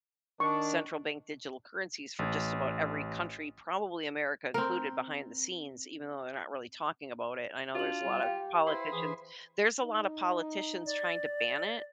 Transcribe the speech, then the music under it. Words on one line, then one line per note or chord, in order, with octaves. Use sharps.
central bank digital currencies for just about every country, probably America included behind the scenes, even though they're not really talking about it. I know there's a lot of politicians there's a lot of politicians trying to ban it.
D#3 D4 C#6
A1
C4 A#4
D4 F4 F#4 F#7
G3
G4 F5 G5
E4 B4 C5
E3 G#4
D#4
D5